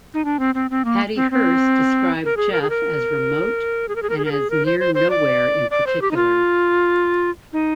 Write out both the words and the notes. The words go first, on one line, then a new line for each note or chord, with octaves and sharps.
Patty Hearst described Jeff as remote and as near nowhere in particular.
D#4
D4
C4
C4
C4
A#3
C4
C4
A#4
G#4
A#4
G#4
A#4
G#4
A#4
G#4
A#4
G#4
A#4
G#4
A#4
C5
C5
C5
D5
D5
C5
G4
D#4
F4
D#4